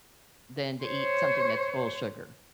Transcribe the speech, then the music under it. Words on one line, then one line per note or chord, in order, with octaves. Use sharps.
than to eat something that's full of sugar.
C5 C#5